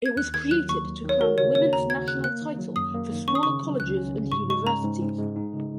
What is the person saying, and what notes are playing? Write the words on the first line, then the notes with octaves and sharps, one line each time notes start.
It was created to crown a women's national title for smaller colleges and universities.
G#6
D#2 F#6
D#3 G#6
F#3 F#6
D#2 C#6
D#2
D#3
C#5
F#4 A#4
C#3 C#5
A#3 C#5
D#2 A#5
F#4 G#6
C#3 F#6
A#3 F#6
D#3
F#3
F#2 D#6
A#3
D#3
C#4 C#6
D#6
C#3 C#6
F#3
C#2 F#6
C#4
C#3
G#2 C#6
G#3 C#6
C#4 A#5
G#2
G#2
G#3
D#4
C#3